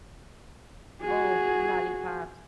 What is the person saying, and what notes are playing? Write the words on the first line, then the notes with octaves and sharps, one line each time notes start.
Oh, lollypops!
F#4 G#4